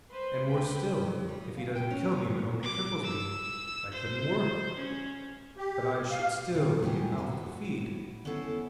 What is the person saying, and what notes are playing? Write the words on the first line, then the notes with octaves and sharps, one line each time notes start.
And worse still, if he doesn't kill me but only cripples me: I couldn't work, but I should still be a mouth to feed.
B4 C5 C6
D2 B4 G5
F#3
G3
D#5
F5
G5
C#4
B3
G#2
D6
E6
C5
C#4
G4
F5
C3 D#3 G3
F#3 G3 G4 G#4
A2 F#4 B4
B3 C#4 E4 A4 C5